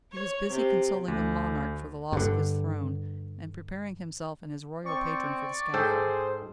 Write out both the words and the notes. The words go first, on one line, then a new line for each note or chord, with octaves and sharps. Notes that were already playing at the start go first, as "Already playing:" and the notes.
He was busy consoling a monarch for the loss of his throne, and preparing himself and his royal patron for the scaffold.
C#5
C3
D2
G2 D3
C4 D5 C#6
G#2 G#4 A4 C5 G5